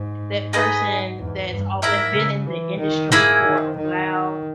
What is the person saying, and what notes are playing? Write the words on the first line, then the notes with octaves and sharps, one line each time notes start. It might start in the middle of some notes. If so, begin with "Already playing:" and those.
that person that's al been in the industry for a while
Already playing: G#2
D#4 G#4 B4 D#5
E2
G2
G#2 A#3 E4 A#4 E5
C#3
E3
D#3
G#2 A#3 E4 G#4
D#3
D#3